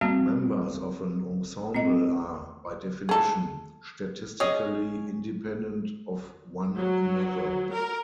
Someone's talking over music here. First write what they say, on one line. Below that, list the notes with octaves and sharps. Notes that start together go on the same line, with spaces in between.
Members of an ensemble are, by definition, statistically independent of one another.
G3 A#3 C4 F#4
C4 D#5
G#4 A4
C#4 G#4 D#5
F#3
A#4